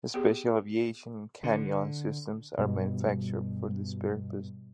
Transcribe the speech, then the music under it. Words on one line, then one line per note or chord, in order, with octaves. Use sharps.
Special aviation cannula systems are manufactured for this purpose.
B3 G4 G#4
D3
G2 B2